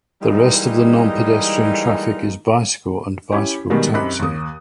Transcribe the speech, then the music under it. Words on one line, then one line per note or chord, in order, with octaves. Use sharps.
The rest of the non-pedestrian traffic is bicycle and bicycle taxi.
E3 G3 G#3 A#3 D#4
C#4 E4 G4
B2 D#3 G3 G#3
F#2 C4 D#4 G4 B5 F#6
D#2 D#6